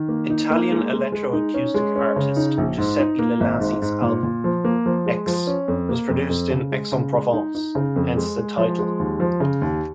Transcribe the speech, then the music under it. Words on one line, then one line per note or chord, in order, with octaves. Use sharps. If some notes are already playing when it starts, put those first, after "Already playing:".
Italian electroacoustic artist Giuseppe Ielasi's album Aix was produced in Aix-en-Provence, hence the title.
Already playing: D#3
A#3
D#4
A#3
G#3
G#3
G#3
D#4
C#4
G#3
C#4
C#3
D#4
A#1
G#2
D#4
A#3
G#1
G#2
G#2
A#2
A#2
F3
A#3
F3
G#3
F3
C#4
F2
A#3
F2
F2
C#3
G#3
C#3
G#3
D#4
D#4
C#3
F2
G#3
G#3
F3
G#3
D#2
F3
C#3
D#2